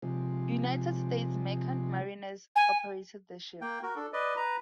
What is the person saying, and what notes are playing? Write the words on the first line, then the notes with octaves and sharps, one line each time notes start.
United States Merchant Mariners operated the ship.
C3 F3 G#3
G#5
A#3 G5
F#4 A#4
D4 A4
B4 D5 D#5
B4 A#5